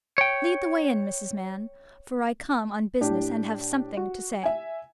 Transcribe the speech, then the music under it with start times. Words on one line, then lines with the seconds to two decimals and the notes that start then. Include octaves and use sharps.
Lead the way in, Mrs. Mann, for I come on business, and have something to say.'
0.18 C#5 G5
3.01 A2 D4 G4
3.97 F#4
4.43 E5 G#5